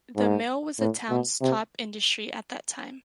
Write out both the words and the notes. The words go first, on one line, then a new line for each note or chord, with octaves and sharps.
The mill was the town's top industry at that time.
G#2
A2
B2
C3